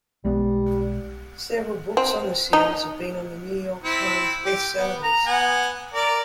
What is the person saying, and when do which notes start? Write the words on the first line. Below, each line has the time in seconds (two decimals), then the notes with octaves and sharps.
Several books on the series have been on the "New York Times" bestseller list.
0.25 B1 G3 G#3 B3
1.97 C4
2.53 D#4
3.84 C4 E4
4.46 G4
4.77 B3
5.04 A#5
5.26 B3 F#5 G#5
5.94 A#4 D5